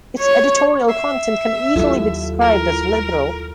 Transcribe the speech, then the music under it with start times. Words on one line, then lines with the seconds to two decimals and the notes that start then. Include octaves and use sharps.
Its editorial content can easily be described as "liberal".
0.19 C#5
0.88 E5 E6 C7
1.76 D#2 F#3 E4 F4 A4
2.41 A#4